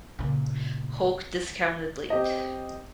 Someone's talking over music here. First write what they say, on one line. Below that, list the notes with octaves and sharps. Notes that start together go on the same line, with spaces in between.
Hulk discounted late.
A#2 C#3
C4 G4 D#5